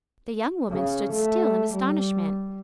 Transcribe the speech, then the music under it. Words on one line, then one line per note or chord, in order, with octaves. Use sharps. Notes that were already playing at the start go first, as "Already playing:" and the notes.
The young woman stood still in astonishment.
C#3
A3
G3